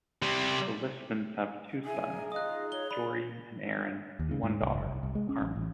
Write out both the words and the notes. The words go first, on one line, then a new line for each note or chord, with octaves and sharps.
The Lishmans have two sons, Geordie and Aaron, and one daughter, Carmen.
C3 G3
C#3 E4 G#4 G#5
D4 A#4
D#4 F4 D#5 D#6 F#6
C#5 G7
D5 B5
D#2
C#3
G#2
C2
F#1
C2
C2
G#3
C#4
A1
A1